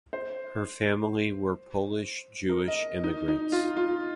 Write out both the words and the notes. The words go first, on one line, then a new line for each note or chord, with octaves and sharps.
Her family were Polish Jewish immigrants.
C5
A#4
D#5
D#4
D#4
F4
F4